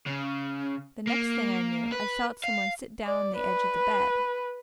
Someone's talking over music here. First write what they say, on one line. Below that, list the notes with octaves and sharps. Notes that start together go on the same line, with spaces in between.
The next thing I knew, I felt some one sit down on the edge of the bed.
C#3
A#3
B4
F5
D5
B4